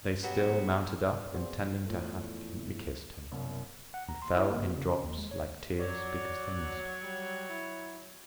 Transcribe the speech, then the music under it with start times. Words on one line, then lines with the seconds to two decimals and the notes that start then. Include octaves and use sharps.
"They still mounted up intending to have kiss'd him. And fell in drops like tears because they missed him."
0.22 B2 F#3 B3 F#4 G4
1.34 B3 F#4 G#4 C5 D5
1.59 F#3
1.86 E2 A2 F3 A3
3.31 C2 F#2 B2
3.94 F#5
4.09 A#5
4.22 C6
4.36 E4
4.50 A#3
4.64 F#4
4.77 C#3
4.89 C#4
5.04 D#2
5.18 G#3
5.31 C#5
5.79 F#3 C#5 D5
7.03 G3
7.49 E4